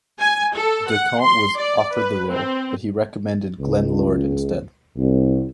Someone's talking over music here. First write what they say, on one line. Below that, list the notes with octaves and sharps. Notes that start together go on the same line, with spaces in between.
De Camp was offered the role but he recommended Glenn Lord instead.
G#5
A4
F#5
C6
D5
B4
C4
C#2
C2